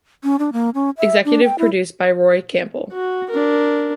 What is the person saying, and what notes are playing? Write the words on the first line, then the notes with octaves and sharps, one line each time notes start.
Executive produced by Roy Campbell.
C#4
D4
A#3
C#4
E5
D4
G5
E4
F#4
D4 A#4